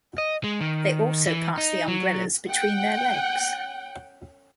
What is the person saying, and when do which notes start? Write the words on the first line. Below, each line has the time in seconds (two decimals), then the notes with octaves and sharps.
They also pass the umbrellas between their legs.
0.18 D#5
0.44 G#3
0.61 D#3
1.26 E3
1.58 D#4
1.88 F#3
2.49 F#5 G5